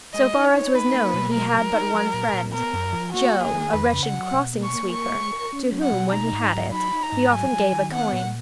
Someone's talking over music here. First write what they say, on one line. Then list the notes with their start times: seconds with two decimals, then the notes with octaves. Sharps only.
So far as was known, he had but one friend--Joe, a wretched crossing sweeper, to whom, when he had it, he often gave a coin.
0.14 G#3 D#5
0.34 D#4
0.44 C#5
0.54 D#4
0.73 D#4 B4
0.94 A#3
1.13 B2
1.34 F#3 A#4
1.53 F#3
1.73 D#4
1.94 F#3
2.14 A#2
2.33 A#2
2.53 B3 A#4
2.73 F#2
2.93 F3
3.13 A#3 F#4
3.34 A#3
3.44 G#4
3.53 D#3
3.73 F2 B4
3.93 C#3
4.03 F#5
4.13 F#3
4.33 B2
4.53 A#3
4.63 C#6
4.73 A#3
4.92 A#4 C#6
5.13 G#3
5.33 A#4
5.53 C#4
5.72 F#3
5.82 F#5
5.92 B2
6.12 D#4 A#5
6.33 G#2
6.52 F#3
6.72 D#4 B5
6.93 D#4
7.03 A#5
7.12 G#2
7.32 F#3 G#5
7.52 F#3
7.72 D#3
7.92 B3 F#5
8.13 A#2